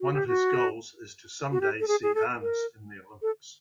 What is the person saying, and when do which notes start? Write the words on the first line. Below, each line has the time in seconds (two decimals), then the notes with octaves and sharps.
One of his goals is to someday see Arnis in the Olympics.
0.01 F#4
0.13 G4
0.27 F#4
1.52 F#4
1.61 G4
1.80 A4
1.88 G#4
2.03 G#4
2.15 A4
2.42 A#4
3.22 A4